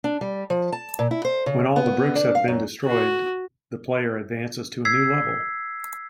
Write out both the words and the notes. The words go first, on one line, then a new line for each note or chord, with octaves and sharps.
When all the bricks have been destroyed, the player advances to a new level.
D4
G3
F3
A5
A#2
E4
C5
C#3
B3
D4
F5
F#2
F#4
E6 G#6 B6 C7